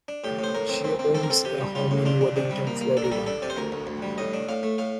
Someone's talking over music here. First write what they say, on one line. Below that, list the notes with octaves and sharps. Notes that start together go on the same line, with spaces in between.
She owns a home in Wellington, Florida.
D4
A2 G4
A2 C5
A2 A#4
C4
C4
C4
C4 A4
A#4
C4 A4
C3 G4
G3
G3 F4
A2
D4 F4
D4
C3 D4
G3
A#3
A#3
D4 A4
A#4
G3 A4
D4 A4
C3 D5
C5
D2 A#4
D2
D2
G3
A2 D#5
D4
A2 F5
A3
A2 F5